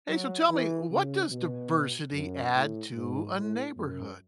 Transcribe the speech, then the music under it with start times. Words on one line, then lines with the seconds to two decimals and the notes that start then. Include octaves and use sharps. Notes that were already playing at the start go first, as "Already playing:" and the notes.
Hey, so tell me, what does diversity add to a neighborhood?
0.09 F#3
0.49 E3
0.91 C#3
1.31 B2
2.14 F#2
2.54 A2
2.94 G#2
3.36 A2
3.76 F#2